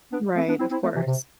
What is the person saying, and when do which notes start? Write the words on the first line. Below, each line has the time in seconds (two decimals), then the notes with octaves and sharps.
Right, of course.
0.12 B3 D4
0.35 A3 C4
0.48 B3 D4
0.59 C4 E4
0.71 C4 E4
0.82 A3 C4
0.95 C3 E3
1.07 C3